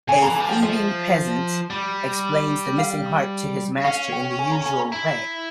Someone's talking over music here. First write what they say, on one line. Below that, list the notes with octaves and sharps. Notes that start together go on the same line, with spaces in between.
A thieving peasant explains the missing heart to his master in the usual way.
C#3 G#5
A#5
E3
G3 G#5
F3 G5
F3 E5
G3
F5
C#4 F5
G5
G#5
A#5
G#5
A#5
E4